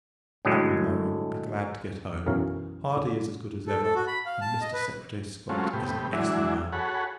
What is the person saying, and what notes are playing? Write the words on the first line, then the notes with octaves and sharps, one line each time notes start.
Admiral Murray will be glad to get home; Hardy is as good as ever; and Mr. Secretary Scott is an excellent man.
A2 D3 F#3 G#3
B1 F#2 E3 A#4 C#5 F5
A4
A4
F#4
B5
F5
A5
D#5
B4
F#3 G#3 A3 C4 C#4 F4
A2 C3 B3 G4
E3 F#3 G#3 D4 E4
F#4 G#4 A4 C#5 F#5 B5